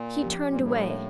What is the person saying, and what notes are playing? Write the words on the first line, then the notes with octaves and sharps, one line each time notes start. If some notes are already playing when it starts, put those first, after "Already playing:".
He turned away.
Already playing: A#2
F3 C#4 G4
A#2
A2 G3 A#3 D4